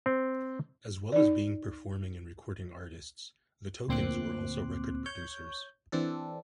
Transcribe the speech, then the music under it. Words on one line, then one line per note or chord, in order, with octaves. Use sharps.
As well as being performing and recording artists The Tokens were also record producers.
C4
D#4 D5
D2 A#2 C4 C6 D6 F#6
C#5 G6
E3 C4 D4 A4